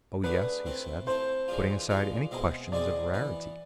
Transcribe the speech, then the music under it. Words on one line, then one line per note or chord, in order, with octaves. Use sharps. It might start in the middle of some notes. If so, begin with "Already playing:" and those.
"Oh yes," he said, putting aside any question of rarity....
D3 A3 D4 G#4 B4
A3 C4 E4 A4
A3 C4 E4 A4 C5
E3 G#3 D4 F4
E3 G#3 D4 F4
B2 G#3 C4 E4 G#4
B2 G#3 C4 E4 G#4 D5
E3 B3 E4